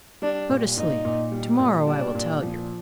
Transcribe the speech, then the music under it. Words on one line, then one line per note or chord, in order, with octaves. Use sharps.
Go to sleep; to-morrow I will tell you.'
G3 D4
A#2
A#2 D#4
A#2
G3
A#2
G3 D4
A#2
F3